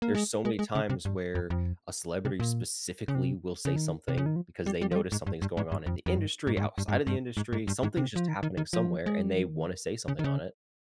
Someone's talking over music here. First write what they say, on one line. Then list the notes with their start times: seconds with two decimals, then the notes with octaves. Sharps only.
There's so many times where a celebrity specifically will say something because they notice something's going on in the industry, outside of the industry, something's just happening somewhere, and they wanna say something on it,
0.02 A#3
0.15 G#3
0.45 G#3
0.59 G#3
0.75 C#3
0.90 C3
1.05 G2
1.35 F2
1.50 F2
2.25 C3
2.40 A#2
3.08 C#3
3.15 C3
3.65 C#3
3.76 D#3
4.08 C3
4.17 C#3
4.26 D#3
4.36 F3
4.66 G3
4.82 G3
4.91 F3
4.96 G3
5.12 G#2
5.26 G2
5.42 G2
5.57 G#2
5.72 G2
5.86 F2
6.06 F2
6.17 G2
6.47 G#2
6.57 G2
6.61 G#2
6.78 G2
6.88 G#2
6.93 G2
7.07 G2
7.37 G#2
7.53 G#2
7.67 G2
7.83 G#2
7.97 C3
8.16 F3
8.28 D#3
8.43 D#3
8.57 D#3
8.73 F3
9.06 G#3
9.21 G3
9.34 F3
9.48 D#3
10.08 C#3
10.19 D#3
10.24 C#3